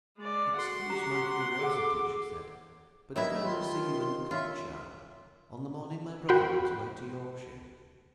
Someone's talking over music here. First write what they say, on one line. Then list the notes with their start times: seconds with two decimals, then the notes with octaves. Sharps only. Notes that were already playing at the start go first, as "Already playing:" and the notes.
'Excuse my curiosity,' she said, 'but did I not see you in the coachyard, on the morning my brother went away to Yorkshire?'
0.18 G#3 D5
0.58 F#4 A4 F#5 C6
0.90 G4 A#5
1.59 G#4 A4 F#5 D6
3.16 D#2 D#3 F#3 B3 E4 D#5 E5
3.45 F4 C6
4.31 F4 C#5 E5
6.29 F#4 A#4 G5 B5 C6 F#6